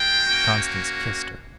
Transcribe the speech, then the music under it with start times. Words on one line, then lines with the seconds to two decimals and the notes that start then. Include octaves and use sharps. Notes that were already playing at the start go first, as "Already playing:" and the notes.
Constance kissed her.
Already playing: G#3 F4 G5
0.26 A#3 C#4 F#4